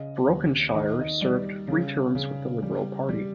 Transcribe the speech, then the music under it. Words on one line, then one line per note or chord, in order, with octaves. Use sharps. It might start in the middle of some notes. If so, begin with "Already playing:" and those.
Brokenshire served three terms with the Liberal Party.
Already playing: C#3 D#5
D#2
D#3 D#5
D#5
G3 D5
C#3
C#3
G3
G3